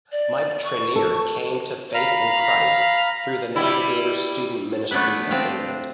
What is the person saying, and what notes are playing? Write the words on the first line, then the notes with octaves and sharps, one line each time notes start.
Mike Treneer came to faith in Christ through the Navigator student ministry in England.
D5
C#6
A4
F5 A#5 B5 F6
G3 E4
A3 B3 D4 E4 B4
C4 D4 F4 F5 G5